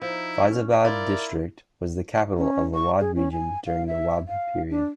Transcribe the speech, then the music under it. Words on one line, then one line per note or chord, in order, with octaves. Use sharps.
Faizabad District was the capital of Awadh region during Nawab Period.
F3 D#4 E4
C#4
E4 F4 A#4 D5
C#4
C#6
G#4
C#4
G#5
F5
E5
F5
D4